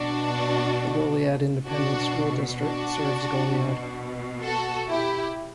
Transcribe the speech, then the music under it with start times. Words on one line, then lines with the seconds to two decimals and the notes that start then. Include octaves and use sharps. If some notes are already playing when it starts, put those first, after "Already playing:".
The Goliad Independent School District serves Goliad.
Already playing: B2 D4 F#4
1.67 B2 D4 F#4
2.60 D4 F#4
3.52 B2
4.44 F#4 A4
4.89 E4 G4